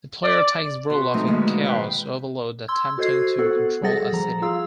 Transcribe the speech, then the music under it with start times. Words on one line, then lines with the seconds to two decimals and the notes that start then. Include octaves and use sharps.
The player takes the role of a Chaos Overlord attempting to control a city.
0.23 D5
0.90 B2 C6
1.14 F3 A3 C4 D#4 A#4
1.27 B2 D3 D#3 F3 G#3 A#3
1.64 B4 F5 G5
2.68 C6 E6 G#6
2.98 F#4 A4 C5 D#5 G#6 C7
3.38 B3 F#4 A4 F#5
3.83 G3 G#4 A4 F#5 A6 A#6
4.13 F3 A#5
4.42 F4 G#4 F5 E6